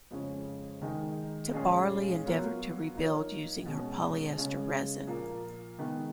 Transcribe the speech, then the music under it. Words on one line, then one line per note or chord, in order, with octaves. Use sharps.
Tabarly endeavoured to rebuild her using polyester resin.
F2 C#3 G#3 C#4
D#3 G#3 D#4
A#2 G#3 C#4 F4 G#4
F#3 B3 F4 A#4 C#5
F3 A#3 D#4 A#4 C#5
B2 G#3 C#4
C#3 G#3 C#4
A#2 F3 A#3
D#3 G#3 B3 D#4